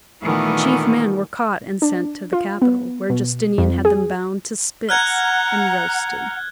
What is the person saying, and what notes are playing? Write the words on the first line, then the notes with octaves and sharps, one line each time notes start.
The chief men were caught and sent to the capital, where Justinian had them bound to spits and roasted.
A#2 D#3 E3 A3 B3 G#4
D4
F4
B3
B2
F2
G#4
F#5 A#5 F6 F#6 G#6